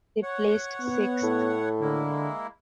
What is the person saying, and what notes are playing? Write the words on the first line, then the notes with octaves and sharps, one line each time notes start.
They placed sixth.
C#5 F#5
B3
A2
D3 G#3 A#3 E4